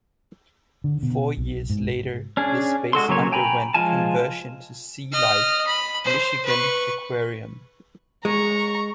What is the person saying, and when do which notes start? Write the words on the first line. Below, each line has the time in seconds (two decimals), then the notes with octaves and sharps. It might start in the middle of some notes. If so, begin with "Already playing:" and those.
Four years later, the space underwent conversion to Sea Life Michigan Aquarium.
0.84 D3
1.03 B2
1.37 B1
1.70 G#2
2.37 C#4 D4 G#4
2.93 G#3 F#4 A4 C6
3.08 C#3 F#3 A#3 C#5
3.32 G5 G#5 A#5 B5
3.74 F3 G#3 F4 G#5 A5
5.12 D#5 F6
5.67 B5
6.04 C5
6.45 B4 C#6
8.25 G#3 A#5 C#6